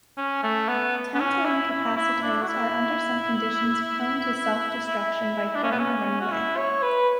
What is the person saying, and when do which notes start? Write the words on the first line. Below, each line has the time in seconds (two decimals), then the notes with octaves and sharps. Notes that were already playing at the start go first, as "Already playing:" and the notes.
Tantalum capacitors are under some conditions prone to self-destruction by thermal runaway.
0.17 C#4
0.43 A3
0.68 B3
1.15 B3
1.19 C#4
1.45 E4
1.71 E4
1.96 E4
2.22 D4
2.42 F#4
2.48 E4
5.55 D4
5.63 C#4
5.71 B3
5.79 C#4
6.20 F#4
6.32 E4
6.57 C#5
6.83 B4